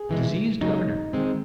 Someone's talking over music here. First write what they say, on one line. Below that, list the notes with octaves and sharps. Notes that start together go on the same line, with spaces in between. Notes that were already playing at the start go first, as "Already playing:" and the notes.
A diseased governor?
Already playing: G#4
C3 E3 G#3
C#3 F#3 A#3 D#4
D#3 G#3 C4